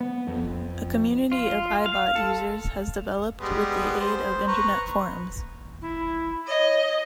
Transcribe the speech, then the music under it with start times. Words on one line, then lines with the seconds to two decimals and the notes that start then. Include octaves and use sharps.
A community of I-Bot users has developed with the aid of internet forums.
0.01 B3
0.28 F2
1.32 F4
1.86 F5
2.16 A4
3.40 G3 G#3 B3
4.00 C5
4.48 B4 A#5 C#6
5.81 E4
6.47 C#5 D#5